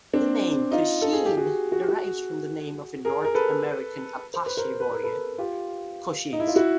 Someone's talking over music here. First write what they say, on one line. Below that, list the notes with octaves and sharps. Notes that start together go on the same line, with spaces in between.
The name Kosheen derives from the name of a North American Apache Warrior, Cochise.
C4 D4
D#4 F4
A4
G#4
G4
F#4 G#4
F#4
G4
F#4 G#4
G#4 A#4
A#4
A4 B4
C5
B4
A#4 C5
B4
A#4
A4 B4
F4 G4
D#4
E4
F4
E4 F#4